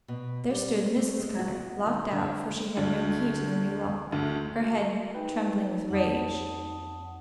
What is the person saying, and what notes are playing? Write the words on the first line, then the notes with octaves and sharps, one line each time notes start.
There stood Mrs. Cutter,--locked out, for she had no key to the new lock--her head trembling with rage.
B2
G3
A3
G#3
F#4
D#3
D3
D2
D2
F#4
D#4 B4 G5
F2 F#5 A5 D#6